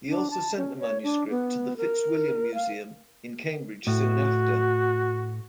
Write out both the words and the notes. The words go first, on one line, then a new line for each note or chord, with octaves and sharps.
He also sent the manuscript to the Fitzwilliam Museum in Cambridge soon after.
D4
A5
C#4
C#5
D4
B3
A#4
F5
A2 F#4